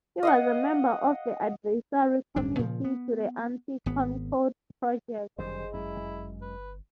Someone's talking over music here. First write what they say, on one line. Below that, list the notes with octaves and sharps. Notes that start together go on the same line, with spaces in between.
He was a member of the advisory committee to the Anti-Concorde Project.
D#5 F5 F#5
D1 G2 D4
A#2 C#3 E3 F3
B3
G#1 B3
G1 F#2 D#3 G3 G#4 C5 D#5
F#2 G#3 E4
B4